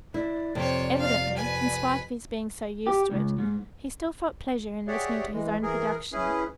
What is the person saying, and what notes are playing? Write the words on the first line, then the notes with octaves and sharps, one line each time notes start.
Evidently, in spite of his being so used to it, he still felt pleasure in listening to his own productions.
E4 D5
F2 C3 C4 C#5
F5
B4 G#5
G4
C#2
G#2
G4 G#4 C#5 D5 E5 F#5
E3 G#3
E3 G#4 A#4
C#4 E4 G#4 B4